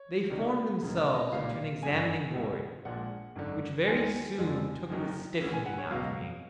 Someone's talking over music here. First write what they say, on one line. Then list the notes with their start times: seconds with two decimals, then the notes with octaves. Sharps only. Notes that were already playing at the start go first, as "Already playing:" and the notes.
They formed themselves into an examining board, which very soon took the "stiffening" out of me.
Already playing: C#5
0.30 C#2 C3 D#3 G3
0.81 E1 D#2 C#3
0.97 D5
1.15 D#5
1.32 B1 A#2 G3 F5
1.83 G1 F#2 D3 G#5
2.33 C#2 B2 G3
2.85 A#1 A#2 F3 G#3 F#5
3.35 G#1 F#2 D3
3.87 D#2 D#3 G#3 G#5
4.38 F2 D3 F3 G#3
4.89 F#1 F#2 D#3 F#3
5.40 D2 C#3 E3
5.53 G#5
5.66 F#5
5.78 C#5
5.91 C#2 B2 F#3 F5